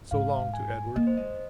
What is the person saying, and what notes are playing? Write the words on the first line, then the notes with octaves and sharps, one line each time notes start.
"So long," to Edward.
G#2 F5
G#5
A#3 D#5
C5
G#3 D#5